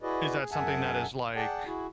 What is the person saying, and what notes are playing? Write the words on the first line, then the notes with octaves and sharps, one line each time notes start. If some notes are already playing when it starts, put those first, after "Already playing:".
is that something that is like,
E4 F#4 G#4 B4 D5 D#5
G#4
F#2 G#4 E5 F#5 G#5 A5
G#4 D5 F#5 G5 A5
E4 F#4 G#4